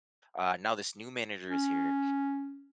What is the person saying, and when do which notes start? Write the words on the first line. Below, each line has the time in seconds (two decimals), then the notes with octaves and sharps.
uh, now this new manager is here,
1.49 C#4